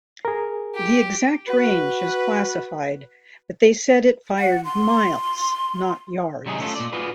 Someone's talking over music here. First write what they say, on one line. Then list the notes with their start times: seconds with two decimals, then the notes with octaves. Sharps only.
The exact range is classified, but they said it fired "miles not yards".
0.25 G#4 A#4
0.75 G4
1.48 F#4 B4
4.39 F#5
4.65 C6
6.46 C3 F#3 G3 D#4 G#4
6.60 A3 C#4 E4 F4 A4
6.76 A#2 D5
6.92 F4 F#4 G#4 B4 D5